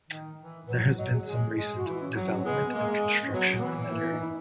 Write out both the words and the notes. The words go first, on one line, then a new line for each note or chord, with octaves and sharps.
There has been some recent development and construction in the area.
D#3
E3
F#3 B4
F#3 D#5
G#4
G#3 G#4
G#3
F#4
E3 E4
C#4
F#3
C#4
G#3 B3
B3
G#3 A#3
C#4
F#3 B3
A#3
E3 B3
A#3
B3
D#4
E4